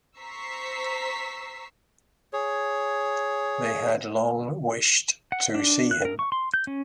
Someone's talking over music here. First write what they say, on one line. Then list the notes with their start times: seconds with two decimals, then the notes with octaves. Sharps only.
They had long wished to see him.
0.19 C5 A#5 C#6 E6 B6 C7
2.33 G#4 C#5
5.32 F#5
5.55 D4
5.91 F#6
6.05 A#4
6.19 C#6
6.32 C6
6.54 G6
6.67 C#4